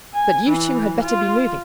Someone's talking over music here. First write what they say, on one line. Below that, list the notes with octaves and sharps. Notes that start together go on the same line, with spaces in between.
But you two had better be moving.
G#5
E3
F4